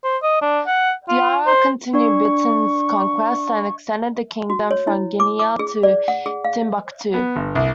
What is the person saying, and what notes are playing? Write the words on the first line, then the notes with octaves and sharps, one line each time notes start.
Diarra continued Biton's conquest and extended the kingdom from Guinea to Timbuktu.
C5
D#5
D4
F#5
F4
C5
D4 D5 C#6
F#4
C#5
E4
D6
D6
G#4
D5
F#5
G#4
F5
B3
G1
C2